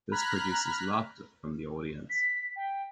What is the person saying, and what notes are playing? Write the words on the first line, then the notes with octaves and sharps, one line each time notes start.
This produces laughter from the audience.
A#5 B5 F6 F#6 G#6 B6
B6
G5